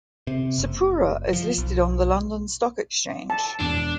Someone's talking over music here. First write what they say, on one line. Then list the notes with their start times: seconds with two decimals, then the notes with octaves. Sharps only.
Sepura is listed on the London Stock Exchange.
0.27 C3
0.58 F#1
1.33 F3
1.58 B1
3.30 A5
3.60 E1 D4 E7